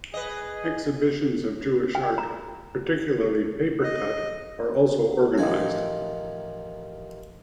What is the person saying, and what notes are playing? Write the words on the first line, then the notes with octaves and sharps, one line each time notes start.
Exhibitions of Jewish art, particularly paper-cut, are also organized.
G#4 B4 D#5
G5
A#5
D#5
A1 D#3 F3 G#5